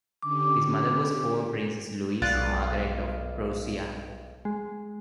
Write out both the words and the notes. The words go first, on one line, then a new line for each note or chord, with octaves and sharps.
His mother was the former Princess Louise Margaret of Prussia.
D3 C#4 G4 D6
B1 F4 D5 F#6
G#3